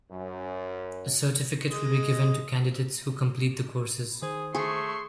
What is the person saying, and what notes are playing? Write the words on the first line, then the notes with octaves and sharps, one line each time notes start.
A certificate will be given to candidates who complete the courses.
F#2
G#3 D#5
D#3 G#4 C5
A3 G#4 C6 C#6